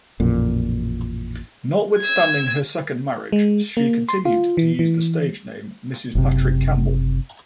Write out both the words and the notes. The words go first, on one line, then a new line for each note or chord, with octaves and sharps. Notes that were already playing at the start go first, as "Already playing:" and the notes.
Notwithstanding her second marriage she continued to use the stage name "Mrs Patrick Campbell".
A1 F2 A#2
E6 G#6
G#3
A#3
C6
F4
E3
E3
F#1 C3